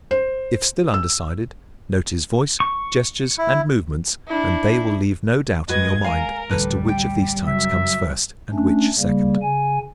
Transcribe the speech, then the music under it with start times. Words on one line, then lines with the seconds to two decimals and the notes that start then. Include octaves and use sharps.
If still undecided, note his voice, gestures and movements and they will leave no doubt in your mind as to which of these types comes first and which second.
0.11 C5
0.94 E6
2.60 C#6
3.38 E4
4.27 D4 E4
5.69 F2 G#3 F#4 B4 D#5 G#6
6.04 A#4 F5 G#5
6.51 A1 D2 G3 A4 B4
6.89 G5
7.47 F#2 C#3 G3 E5
8.53 A3 C#4 D4
8.99 C#3 G3 A#3
9.42 C#3 G#5